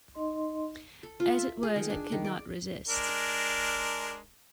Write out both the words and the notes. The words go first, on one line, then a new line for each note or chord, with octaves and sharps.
As it was I could not resist.
D#4 D#5 C6
A4
F4
E5
G#4
D#3
D4
D#3
D5
G#3 D4 A#4